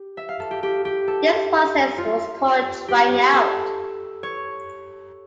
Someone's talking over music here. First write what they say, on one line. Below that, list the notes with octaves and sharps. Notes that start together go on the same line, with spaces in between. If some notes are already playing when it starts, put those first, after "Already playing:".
This process was called "trying out".
Already playing: G4
E5
F5
A4
G4
G4
G4
A4
F4
G4
A4
C#5